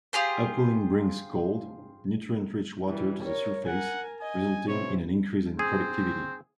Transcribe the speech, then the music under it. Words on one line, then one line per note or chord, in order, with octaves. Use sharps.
Upwelling brings cold, nutrient-rich water to the surface resulting in an increase in productivity.
F4 G4 G#4 C5
E3 G3
A#4 C#5
A#4 F#5 G#5
D#5 G#5
B2 C4 E4 C#5
C4 G#4